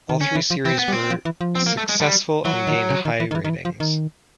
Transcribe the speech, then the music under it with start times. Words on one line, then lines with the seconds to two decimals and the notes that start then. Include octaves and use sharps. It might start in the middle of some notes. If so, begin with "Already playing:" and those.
All three series were successful and gained high ratings.
0.09 D#3
0.21 D3 C#4
0.35 E3
0.50 F3
0.65 E3 C4
0.79 B3
0.88 G3
0.92 C4
1.10 F3
1.25 E3
1.41 F3
1.55 C4
1.66 A#3
1.77 A3
1.89 G#3
2.01 G3
2.45 E3 F#3
2.67 D#3
2.90 C#3
3.05 D#3
3.20 E3
3.31 D#3
3.35 E3
3.44 D#3
3.50 E3
3.65 F3
3.80 D#3